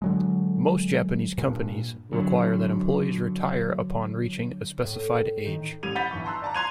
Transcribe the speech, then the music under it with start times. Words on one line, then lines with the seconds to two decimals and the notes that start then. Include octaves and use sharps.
Most Japanese companies require that employees retire upon reaching a specified age.
0.02 D3 F#3 G#3
1.38 G2 A#2
2.13 D3 F#3
4.85 A2
5.46 D#3
5.83 A1 G3 G#6 D#7 F7
5.95 F#5 B5 G6 A6 B6
6.11 G1 E3 C#6
6.25 A5 A#5 C6 E6 F#6
6.42 D5 A5 A#5
6.55 A#5 C6 F#6 G#6 D#7 F7